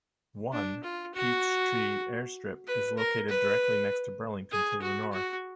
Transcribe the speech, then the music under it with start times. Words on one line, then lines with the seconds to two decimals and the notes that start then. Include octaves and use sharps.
One, Pietschtree airstrip, is located directly next to Burlington to the north.
0.53 D4
0.83 F4
1.14 F#4
2.67 B4
2.97 A#4
3.29 B4
4.51 G#4
4.82 F#4
5.13 F#4